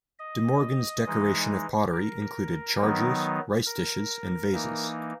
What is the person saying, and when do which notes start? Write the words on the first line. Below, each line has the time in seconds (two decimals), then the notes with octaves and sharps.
De Morgan's decoration of pottery included chargers, rice dishes and vases.
0.19 D#5
1.06 E3 G#3 D#4
1.93 A#4
2.80 D#3 F#3 B3 D#4
3.66 A#4
4.53 E3 A#3 D#4